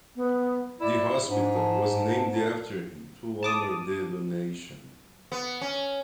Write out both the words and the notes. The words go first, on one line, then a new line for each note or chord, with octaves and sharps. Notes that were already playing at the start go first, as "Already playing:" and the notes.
The hospital was named after him to honor the donation.
B3
E4 D5
G#2 D4
A5
A5 D6 D#6
B3
C#4